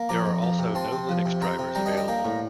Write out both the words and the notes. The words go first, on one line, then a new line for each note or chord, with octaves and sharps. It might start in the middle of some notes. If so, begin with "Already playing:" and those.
There are also no Linux drivers available.
Already playing: A#3
F3 A#5 D6
F2
F3
C3
C4 A5 C6
C3
F3
C3
C4 G5 A#5
C3
G3 G5 A#5
D#5 G5
D4
D#5 G5
A#3 G5 A#5
A2